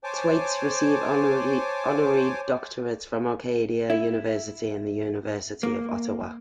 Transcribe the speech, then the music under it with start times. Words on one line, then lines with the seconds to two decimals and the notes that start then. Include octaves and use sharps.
Twaits received honorary doctorates from Acadia University and the University of Ottawa.
0.04 C5 C#5 G#5 A5 D6
3.90 E4
5.63 A#3